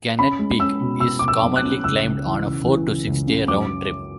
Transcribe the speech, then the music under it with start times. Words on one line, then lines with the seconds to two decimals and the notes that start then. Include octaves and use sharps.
Gannett Peak is commonly climbed on a four- to six-day round-trip.
0.19 C#4 B5
0.39 G#3
0.60 C#4 E6
0.81 B2
1.00 B2 E6
1.19 B2 D6
1.28 E6
1.42 B1
1.56 F#6
1.63 C#4
1.84 C#2 E6
2.04 C#2
2.25 E3
2.45 C#3
2.66 E3
2.87 C#3
3.07 C#2
3.27 C#3
3.48 F#2 D6